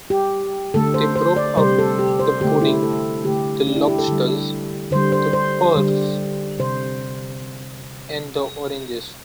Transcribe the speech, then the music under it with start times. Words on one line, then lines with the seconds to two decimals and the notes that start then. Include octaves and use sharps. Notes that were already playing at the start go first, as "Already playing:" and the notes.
They broke up the pudding, the lobsters, the pears, and the oranges.
0.10 G4
0.74 D3 A3 A4
0.94 C5
1.16 C5
1.36 D5
1.57 C3 G3 C5
1.78 A4
1.99 G4
2.20 C5
2.41 D3 A3 G4
2.61 E4
2.83 A4
3.24 D3 A3 G4
3.67 D4
3.76 E4
3.88 G4
3.98 A4
4.08 D3 G3
4.91 D3 G3 C5
5.12 C5
5.33 C5
5.76 D3 G3
6.59 C3 C5